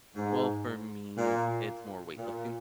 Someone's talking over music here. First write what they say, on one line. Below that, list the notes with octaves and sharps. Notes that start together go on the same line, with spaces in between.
Well, for me, it's more weightlifting.
G#2
A#2
A#2